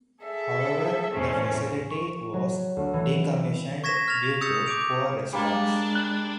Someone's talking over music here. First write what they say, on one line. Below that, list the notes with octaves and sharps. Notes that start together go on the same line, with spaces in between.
However the facility was decommissioned due to poor response.
G#4 A4 E5
E2 A2 A3 C4 C#4
C#6
F#3
D2
E3
C#6 G#6 A#6 B6 E7
F6 G#6 A6 F7
D#6 E6 G6 A6 C#7 F7
D6 G6 D7 F7
D6
G3 G#3 A#3 D4
F#6